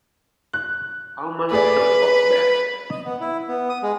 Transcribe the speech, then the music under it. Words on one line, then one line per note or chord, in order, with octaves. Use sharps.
How much should Bob bet?
F#6
A3 G#4 B4 D5
D#5
B3
E4
B3
D#6
G#3